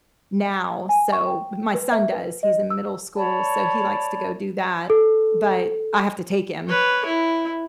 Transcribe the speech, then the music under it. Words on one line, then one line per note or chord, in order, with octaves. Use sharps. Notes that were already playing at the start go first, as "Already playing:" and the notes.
now, so my son does, he's in middle school, so he likes to go do that, but I have to take him,
G#5
C#6
G5
B4
E5
B4
D#5
E6
C#5 D5 A5 B5
A4
B4 C#5
E4